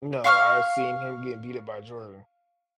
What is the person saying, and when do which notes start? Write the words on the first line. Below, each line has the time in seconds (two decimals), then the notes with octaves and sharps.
No, I've seen him get beat up by Jordan.
0.24 F5 C#6 E6 F6